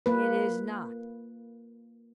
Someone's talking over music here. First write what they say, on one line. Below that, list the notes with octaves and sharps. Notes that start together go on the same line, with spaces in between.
'It is not.
A#3 B4